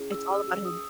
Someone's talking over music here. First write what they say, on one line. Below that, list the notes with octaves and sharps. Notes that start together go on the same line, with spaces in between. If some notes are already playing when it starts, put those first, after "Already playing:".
It's all about him.
Already playing: C#4 E4 G#4
E6
C#4 G#4 E6
E6
D#6